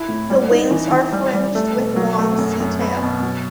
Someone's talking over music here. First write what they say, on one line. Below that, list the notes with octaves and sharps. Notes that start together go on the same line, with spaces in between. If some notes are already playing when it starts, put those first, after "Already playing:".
The wings are fringed with long setae.
Already playing: E4
A2
G3
D#4
E3
E3
G3
G3
A3
B2
F#3
A3
F#2
F#2
B3
B2
F#3